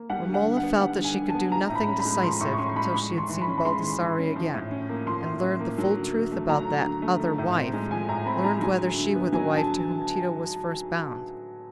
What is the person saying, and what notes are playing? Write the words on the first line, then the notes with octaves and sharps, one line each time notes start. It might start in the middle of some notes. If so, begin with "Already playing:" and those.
Romola felt that she could do nothing decisive until she had seen Baldassarre again, and learned the full truth about that "other wife"--learned whether she were the wife to whom Tito was first bound.
Already playing: A#3
G3 F#5
D3
F#5
D3
F#5
B3
G3 F#5
D3
G#5
D3
A5
B3
F3 A#5
A2
B5
C#4
B5
G#3
F3 C6
A2 C#6
C#6
C#4 C6
G#3 B5
G#3 C#6
E3
C6
E3
B5
C#4
B5
G#3 C6
E3
E3
C#4
F3
A2
C#4
A#3
F3 C6
A2
C#4
A#3
F#3
D3
D3
A3
F#3 A#5
D3
D3
A3
F3
A2
C4
G#3
F3 G#5
A2 A#5
C4 B5
G#3 A#5
F#3 G#5
D3
D3
B3
F#3 G#5
D3
A5